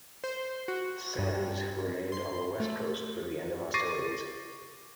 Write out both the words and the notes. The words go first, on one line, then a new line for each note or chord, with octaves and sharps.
"Sands" remained on the west coast through the end of hostilities.
C5
F#4
G2
C6
A3
C#6 D6 A6 A#6 C7 D#7